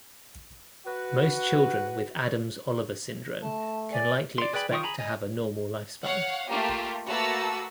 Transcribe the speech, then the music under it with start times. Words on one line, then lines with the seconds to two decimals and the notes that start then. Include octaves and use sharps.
Most children with Adams-Oliver syndrome can likely expect to have a normal life span.
0.86 F#4 B4 F#5
3.42 A3 A5
3.91 D5 G#5
4.38 D5 C6
4.53 G#4 B4 D5 G5 B5
4.71 D#3 F4 G5 C#6 D#6
4.83 G#4 A#5 B5
4.99 D#5 G#5
6.03 C#5 F5 F#5
6.50 A3 A#3 F4 G4
7.08 A3 A#3 F#4 B4 A5 E6